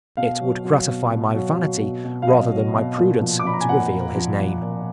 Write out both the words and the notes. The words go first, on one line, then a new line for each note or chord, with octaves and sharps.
It would gratify my vanity rather than my prudence to reveal his name.
B2 F5
F#3
F#3
B2
B2
F#3
F#3
B2
B2
F5
F#3 D#5
F#3
B2
A#2
F3
D6
F3 B5
A#5
G#5
A#2 F#5
A#2
F3
F3
A#2